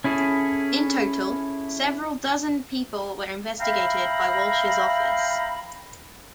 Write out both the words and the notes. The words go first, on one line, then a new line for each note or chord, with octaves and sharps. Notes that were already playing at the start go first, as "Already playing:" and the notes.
In total, several dozen people were investigated by Walsh's office.
C#4 E4 G#4 A4
E5 F5 G5 A#5 B5